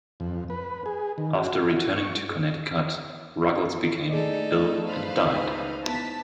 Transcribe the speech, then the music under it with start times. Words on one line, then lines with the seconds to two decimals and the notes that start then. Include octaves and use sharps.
After returning to Connecticut, Ruggles became ill and died.
0.20 F2
0.50 B4
0.86 G#4
1.18 D#3
1.35 F#4
1.76 F#4
1.96 C#6
4.10 A3 D#4 G#4 A4 D5 D#5
4.86 B4 C5 F5
5.25 C#2 D#4
5.84 B3 E4 A5 B6